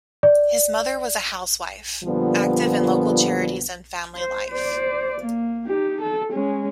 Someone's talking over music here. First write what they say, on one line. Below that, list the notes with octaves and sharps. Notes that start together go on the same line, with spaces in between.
His mother was a housewife, active in local charities and family life.
D5
A#2 D3 F3 G3 B3
C5
C5 D5
A#3
D#4 G4
A4
G#3 C#4